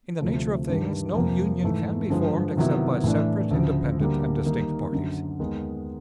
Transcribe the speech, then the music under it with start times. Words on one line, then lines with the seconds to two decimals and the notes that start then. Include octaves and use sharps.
In the nature of things, no union can be formed except by separate, independent, and distinct parties.
0.21 D2 C3 F3 A3
0.68 G2 D#3 G3
1.16 F2 C3 F3 A#3
1.63 G#2 E3 A3
2.10 G2 D3 F3 G#3
2.57 C3 D#3 F#3 B3 E4
3.03 A2 E3 A3 D4
3.51 D2 C#3 F3
3.98 D2 D3 G3 A#3
4.45 D#3 G3 A#3 D#4
4.93 F#2 D3 F#3
5.39 D#2 D#3 G#3 B3